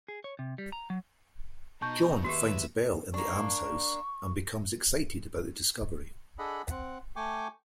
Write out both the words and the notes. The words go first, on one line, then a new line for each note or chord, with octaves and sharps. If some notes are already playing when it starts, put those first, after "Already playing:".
Jon finds a bell in the Almshouse and becomes excited about the discovery.
G#4
C#5
C3
G3
A#5
F#3
B2 D#4 A5 C#6 G6
D#2 F#4 G4 B4 E5
A#3 D4 C#6
D4 G#4 A4 D#5 F#5 B5
C4 F#5
A3 G5 G#5 C#6 D6